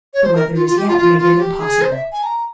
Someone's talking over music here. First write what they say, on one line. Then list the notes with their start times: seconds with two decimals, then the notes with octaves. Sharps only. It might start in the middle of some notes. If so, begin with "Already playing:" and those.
The weather as yet made it impossible.
0.14 C#5
0.24 C5
0.35 A#4
0.55 F4
0.66 F4
0.77 G4
0.87 F4
0.98 F4
1.18 F4
1.39 G4
1.60 G#4
1.82 C5
1.92 E5
2.12 G#5
2.23 A#5